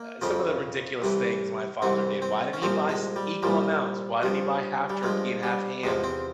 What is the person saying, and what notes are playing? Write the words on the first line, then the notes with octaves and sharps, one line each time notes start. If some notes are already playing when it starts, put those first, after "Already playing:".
uh, some of the ridiculous things my father did. "Why didn't he buy s equal amounts? Why didn't he buy half turkey and half ham?
Already playing: A#3
F2 C#3 F3
C2 C3 E3
C2 C3 E3 C4
C4
C#4
C2 A#2 F3 C4
G#3
G3
C2 A#2 F3 G3
G2 F3
G3
G2 F3 G#3
G3
E2 C3 F3 G#3
C4